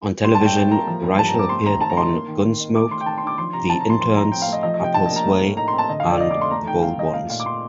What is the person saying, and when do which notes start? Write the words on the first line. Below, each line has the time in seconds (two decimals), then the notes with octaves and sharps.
On television, Reischl appeared on "Gunsmoke", "The Interns", "Apple's Way" and "The Bold Ones".
0.24 G3 C6
0.35 A5
0.40 A2
0.45 G5
0.56 A2 G5
0.71 A#3 A#5
0.87 F3
1.03 G2
1.18 G2 A5
1.28 A#5
1.34 C4
1.39 D6
1.49 A3 C6
1.65 D#3 A#5
1.81 D#3 A5
1.90 A#5
1.97 D#4 C6
2.12 A#3
2.28 D#3
2.43 D#3
2.60 D#4
2.75 A3 D6
2.90 D#3 C6
3.01 G5
3.06 D#3 A5
3.18 C6
3.23 D4 D6
3.38 F3 C6
3.53 C3 A#5
3.69 C4 A5
3.80 A#5
3.86 A3 C6
4.01 F3 C6
4.16 A2 A#5
4.31 C4 G5
4.42 F5
4.48 A3 D#5
4.63 F3 D#5
4.74 C3 D#5
4.84 G5
4.94 D4 A5
5.06 A#3 D#5
5.16 A#5
5.25 A3
5.41 A2
5.57 D#4 A#5
5.68 C4 C6
5.78 A5
5.89 D3 D#5
6.00 F2 F5
6.10 D5
6.20 D#4 D#5
6.31 D6
6.36 A3
6.41 C6
6.51 A3 A#5
6.67 D#3 G5
6.82 D#3 F5
6.99 D#4 D#5
7.14 A3 F5
7.30 A#2 F5
7.40 D6
7.46 A#2 C6